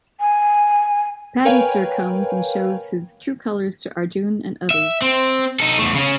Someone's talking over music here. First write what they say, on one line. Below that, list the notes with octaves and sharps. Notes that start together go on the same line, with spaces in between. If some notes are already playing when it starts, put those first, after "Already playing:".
Paddy sir comes and shows his true colors to Arjun and others.
G#5
A#4 B4 C#5 F5 G5 G#5
E5
C4
D#4 A4
E2 A3
C#3 C#4